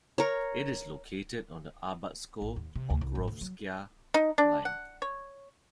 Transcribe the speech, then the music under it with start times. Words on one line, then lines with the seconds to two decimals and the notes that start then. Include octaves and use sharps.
It is located on the Arbatsko-Pokrovskaya Line.
0.18 A#4 C#5
2.41 A1
2.56 D#2
2.76 C3
2.90 D2
3.01 C2
3.15 G#1
3.28 D2
3.41 F#3
4.14 D#4
4.38 D4
4.65 F#5
5.02 C#5